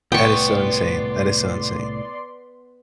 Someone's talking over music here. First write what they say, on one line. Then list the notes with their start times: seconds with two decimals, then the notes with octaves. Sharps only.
That is so insane. That is so insane.
0.12 C2 A2 B3 D5 G5 C6 C#6